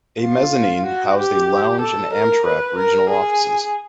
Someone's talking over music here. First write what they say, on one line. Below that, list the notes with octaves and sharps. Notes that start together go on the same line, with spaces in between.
A mezzanine housed a lounge and Amtrak regional offices.
F4
F#4
G4
A4
A#4
B4
A#4
G#4